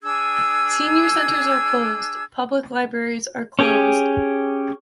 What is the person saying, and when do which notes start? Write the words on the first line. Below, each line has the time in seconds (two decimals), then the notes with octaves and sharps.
Senior centers are closed. Public libraries are closed.
0.02 D4 G#4 E6 G#6
3.59 C#4 G4 G#4 G5 G#5